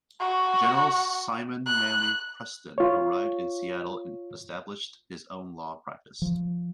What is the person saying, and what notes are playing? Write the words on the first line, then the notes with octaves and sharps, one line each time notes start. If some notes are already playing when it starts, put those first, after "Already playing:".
General Simon Manly Preston, arrived in Seattle and established his own law practice.
F#4
F#6
F4 C#5
F3